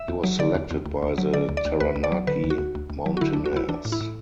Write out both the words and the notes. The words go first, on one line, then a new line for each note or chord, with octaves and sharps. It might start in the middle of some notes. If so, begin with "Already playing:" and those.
He was selected by the Taranaki Mountainairs.
Already playing: E5
E2
F#3
D3 D5
E2
E2
D2
D2
F#3
D3 D5
D2
D5
D2
D2 B4
D2
D5
F#3
D3 B4
D2
F#4
D2
D2
D2
F#3
F#4
D3 E4
D4
D2
F#4
D2 E4
E3 D4
A2
E4
A2